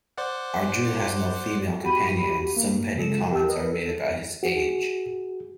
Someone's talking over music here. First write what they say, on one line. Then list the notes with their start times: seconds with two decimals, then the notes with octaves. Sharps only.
Arjun has no female companion and some petty comments are made about his age.
0.18 C5 D5 F#5
1.83 F#4 G4 B5 D#7
2.56 A#3
2.97 C#3 G#3 A4 E7
3.31 G4 A#4 G5 A5 E6
3.48 A#4 B4 D#5
3.73 A4
4.43 F#4 G#4